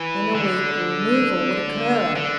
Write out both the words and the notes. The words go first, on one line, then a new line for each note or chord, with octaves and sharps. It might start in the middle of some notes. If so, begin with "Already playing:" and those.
In a week the removal would occur.
Already playing: E3
D3
D3